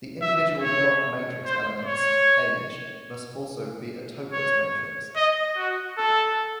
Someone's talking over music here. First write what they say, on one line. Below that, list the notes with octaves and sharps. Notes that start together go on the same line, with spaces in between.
The individual block matrix elements, Aij, must also be a Toeplitz matrix.
E5
C#5
C5
C#5
C#5
D#5
F#4
A4